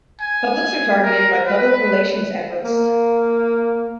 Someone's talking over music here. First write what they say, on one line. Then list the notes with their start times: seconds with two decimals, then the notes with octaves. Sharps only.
Publics are targeted by public relations efforts.
0.20 G#5
1.02 A#4
1.47 B4
2.65 A#3